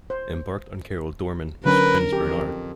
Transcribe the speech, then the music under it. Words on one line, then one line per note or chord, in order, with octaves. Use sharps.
Embarked on "Karel Doorman" was Prince Bernhard.
C5
D3 F#3 C#4 A#4 B4
F2 G4